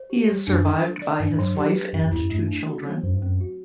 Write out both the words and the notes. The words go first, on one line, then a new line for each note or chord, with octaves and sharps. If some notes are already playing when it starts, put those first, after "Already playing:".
He is survived by his wife and two children.
Already playing: C5
G4
G3
F#2 D4
A4
A4
D5
G2 D4
A2
G2 F#3
G4
B4
F#2 C4
F#2
E2 E4
F#2
G2 A3
D4
F#4
F#3
F#2 C5
G2
F#2 C4
F#4